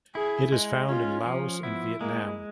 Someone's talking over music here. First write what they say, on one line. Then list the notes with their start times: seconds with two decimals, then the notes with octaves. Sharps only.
It is found in Laos and Vietnam.
0.15 E4 G#4
0.52 G#3
0.89 C#4 F4
1.26 F3
1.63 B3 E4
2.00 G#3 A#3